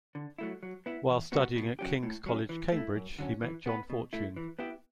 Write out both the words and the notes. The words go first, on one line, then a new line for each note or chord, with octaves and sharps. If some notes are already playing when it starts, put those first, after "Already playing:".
While studying at King's College, Cambridge, he met John Fortune.
D3
F#3 A3 E4
F#3
B3 E4
E2
B2 G3 B3 F#4
B2
F#3 C#4 G4
A2
F#3 C#4
E3
A3 E4
F#2
D3 F#3 C#4
E3
B3 F#4 B4
B2
A3 E4
E3
B3 E4 G4